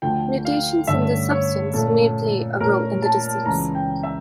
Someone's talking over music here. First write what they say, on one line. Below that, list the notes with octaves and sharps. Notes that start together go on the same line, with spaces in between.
Mutations in this substance may play a role in the disease.
D2 D3 F3 G5
F5
G2 D3 A3 C#4 E5
C#5
A#2 A3 C#4 A4
A#2 A3 C#4 A#4
A5
C#2 C#3 E3 A#5
G5
E5